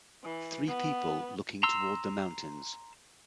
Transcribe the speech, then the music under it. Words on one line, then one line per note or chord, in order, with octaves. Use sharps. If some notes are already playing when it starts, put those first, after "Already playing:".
Three people looking toward the mountains.
E3
B3
A#5 C6 E6